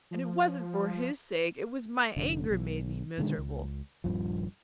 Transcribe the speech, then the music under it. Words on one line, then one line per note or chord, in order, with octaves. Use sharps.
And it wasn't for his sake, it was my anger made me miserable.
F3
F1 D3
B1
B2 D3 D#3 G#3
C#2
D#1 E2 G2 F3